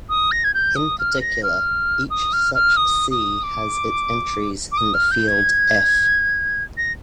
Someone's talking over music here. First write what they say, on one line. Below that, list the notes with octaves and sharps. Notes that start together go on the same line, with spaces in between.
In particular, each such "C" has its entries in the field "F".
D#6
A#6
G#6
G6
D#6
F6
A#6
F6
D#6
F6
F6
D#6
D#6
D6
D6
D#6
F6
G6
G#6
A#6